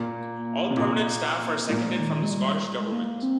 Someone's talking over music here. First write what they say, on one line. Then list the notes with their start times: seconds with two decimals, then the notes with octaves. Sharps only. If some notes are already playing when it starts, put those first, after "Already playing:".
All permanent staff are seconded from the Scottish Government.
Already playing: A#2 A#3
0.71 C3
0.77 A#2
1.69 A#2 G#3
1.78 A#3
1.87 G#3
2.00 D#3
2.23 G#3
2.30 G3
2.61 G#3
2.72 G3
2.81 G#3
2.92 A#3
3.23 C4